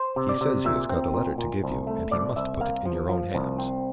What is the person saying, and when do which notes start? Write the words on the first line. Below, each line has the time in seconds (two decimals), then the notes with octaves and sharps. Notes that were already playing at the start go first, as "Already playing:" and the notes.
He says he has got a letter to give you, and he must put it in your own hands.
Already playing: C5
0.16 C3
0.29 D5
0.41 C3
0.65 A#2 E5
0.89 C4
1.14 A#2
1.38 A#2
1.64 C2
1.87 A3
2.11 C2 D5
2.36 C2 E5
2.61 A#3 F5
2.86 F3
3.09 F3
3.34 C2
3.58 C4